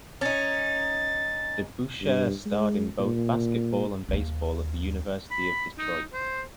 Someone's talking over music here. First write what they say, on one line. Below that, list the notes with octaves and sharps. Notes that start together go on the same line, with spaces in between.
DeBusschere starred in both basketball and baseball at the University of Detroit.
C#4 D#4 A6
G2
G#3
A#2
D#2 A#3
B5
D#4
C5